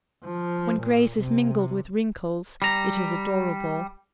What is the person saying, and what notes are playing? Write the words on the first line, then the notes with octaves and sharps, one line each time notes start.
When grace is mingled with wrinkles, it is adorable.
F3
A#2
C3
G3 A#5